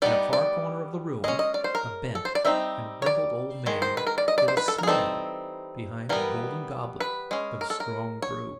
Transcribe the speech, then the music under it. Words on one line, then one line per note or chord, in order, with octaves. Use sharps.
In a far corner of the room a bent and wrinkled old man hid a smile behind a golden goblet of strong brew.
G3 B3 D#4 D5
D5
G#3 C#4 D#5
D#5
D5
C5
A#4
A4
C5
D5
G3 C4 D#4 E5
C#5
D5
D#3 G#3
C5
B4
A#4
D5
D#5
D5
C5
B4
A4
A#4
G#4
E3 G3 C4 D#4 A4
E3 G3 B3 A#4
B4
G#3 C#4
A#4
A4
A#4
C#5